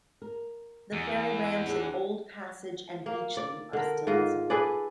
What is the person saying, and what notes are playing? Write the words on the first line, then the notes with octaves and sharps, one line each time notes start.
The ferry ramps at Old Passage and Beachley are still visible.
A#4
E2
E5
D4 G#4
A#3
D5
D3 A#4
G#2 F4 D#5
G#4 A4 B4 D5